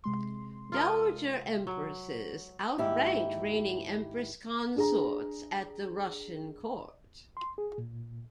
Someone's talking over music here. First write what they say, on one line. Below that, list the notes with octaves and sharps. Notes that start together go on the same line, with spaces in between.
Dowager Empresses outranked reigning Empress Consorts at the Russian Court.
C3 G#3 C6
F4 A#4 D#5
F#3
D#2 G#2 E4 G4
D4 G#4 A#5
C6
G#4
A#2